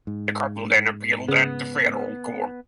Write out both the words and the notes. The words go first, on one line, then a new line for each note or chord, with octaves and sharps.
The couple then appealed at the Federal Court.
G#2
C#3 B3 D#6